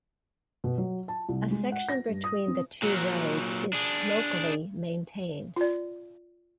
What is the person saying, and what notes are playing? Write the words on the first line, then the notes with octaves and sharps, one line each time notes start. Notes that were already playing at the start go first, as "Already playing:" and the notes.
A section between the two roads is locally maintained.
B2
F#3
A5
C2
G#3
F#5
A#6
G2
D#6
C4
A#2 F#3
D4 G#4
F4 D5